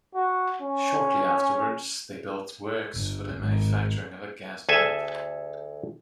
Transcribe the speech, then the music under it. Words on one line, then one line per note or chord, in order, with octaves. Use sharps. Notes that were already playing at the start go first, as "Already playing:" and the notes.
Shortly afterwards, they built works for the manufacturing of a gas pipe.
F#4
C#4
G1
G#1
D2 G#4 A4 E5 G#5